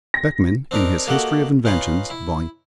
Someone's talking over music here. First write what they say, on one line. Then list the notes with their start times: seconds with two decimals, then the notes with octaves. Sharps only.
Beckmann, in his History of Inventions, Vol.
0.14 A#6
0.71 C4 D4 D#4 A#4
1.07 A#3 F#4 G4 A4 D#5 F#5
1.65 C#4 D#4 F4 B4
2.10 E4